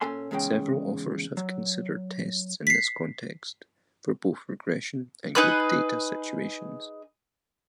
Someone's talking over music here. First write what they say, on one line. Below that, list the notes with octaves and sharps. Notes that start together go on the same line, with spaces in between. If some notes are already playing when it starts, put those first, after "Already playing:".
Several authors have considered tests in this context, for both regression and grouped-data situations.
A#2 C#4 A4 G#5 C6
E2 G#2 C#3 G#3 C#4 G5
F#3
B6 C7
D#4 G#4 B4 F#6